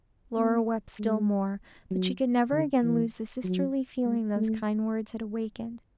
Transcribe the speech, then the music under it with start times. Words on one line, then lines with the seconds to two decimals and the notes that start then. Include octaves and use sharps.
Laura wept still more; but she could never again lose the sisterly feeling those kind words had awakened.
0.37 B3
0.99 G#3
1.91 F#3
2.52 D3
2.83 E3
3.44 F#3
4.05 G#3
4.36 A3